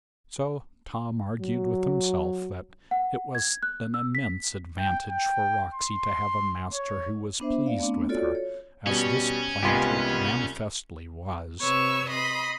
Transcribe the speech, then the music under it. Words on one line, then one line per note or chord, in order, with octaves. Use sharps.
So Tom argued with himself that it was an immense advantaged for Roxy to have a master who was pleased with her, as this planter manifestly was.
F#3
F#5
G#6
F#6
E6
B6
G5
G5
C6
C#5
B3 D4 C5 E5
D5 F5
A3 B3 C4 D4
F4 F#4 A4 C#5 D5
C#5
B2 G3 C#4
C2 G#3 B3 F4 G4 C6
C3 B4 C#5 C#6 E6
D#5 B5 C6